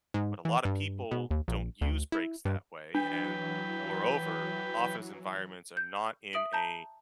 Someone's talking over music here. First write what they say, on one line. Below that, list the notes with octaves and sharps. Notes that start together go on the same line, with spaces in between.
but a lotta people don't use breaks that way, and moreover, office environments are not in a
G#2
E3
G2
B2
D#2
A#1
D2
E4
G2
E3 F#3 D4 B4 G5
G6
E5 D#6 D7 F#7
A5 A#5 G6